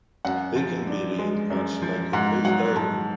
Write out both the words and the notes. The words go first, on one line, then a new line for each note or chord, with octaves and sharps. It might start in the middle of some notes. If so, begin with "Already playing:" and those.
They can be read much like a phase diagram.
F#2 F#5
F3
D4
G#3
F#2
F3
G#2 F#5
F#3 F#5
G#2 A5